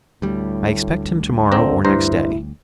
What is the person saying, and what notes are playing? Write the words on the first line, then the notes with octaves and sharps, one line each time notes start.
I expect him to-morrow or next day.
D2 A2 G3
D3 C4 A#5
G2 E4 C5 A#5